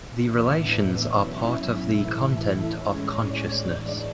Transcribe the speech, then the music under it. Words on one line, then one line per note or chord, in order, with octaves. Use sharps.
The relations are part of the content of consciousness.
A2 E3 B3 D4 E5
B2 F#3 C#4 E4
E5
A2 E3 A3 E4
A2 G#3 C#4 C#5
D5
A2 E3 G#3 D4